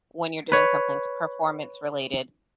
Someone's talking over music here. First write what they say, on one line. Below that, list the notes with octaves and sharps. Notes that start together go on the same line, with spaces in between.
when you're doing somethings performance-related.
B4 C#5